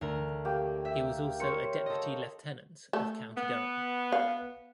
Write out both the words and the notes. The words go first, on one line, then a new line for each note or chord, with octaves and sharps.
He was also a Deputy Lieutenant of County Durham.
D2 A4 A#4
A#3 G4
E5
A#4 C5 C#5 C#7
A4 D#5
A3
B3
F5